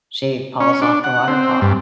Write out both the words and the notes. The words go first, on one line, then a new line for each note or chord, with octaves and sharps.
she falls off the waterfall.
C#4
D4
F#5
C4
G2